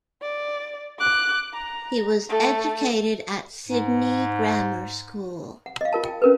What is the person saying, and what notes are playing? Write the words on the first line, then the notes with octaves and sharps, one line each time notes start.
He was educated at Sydney Grammar School.
D5
D6 F#6
A#5
A3 A4
G#2
F#5
D#5 F5
F4 A#4 A5
G5
C#4 A#4 B4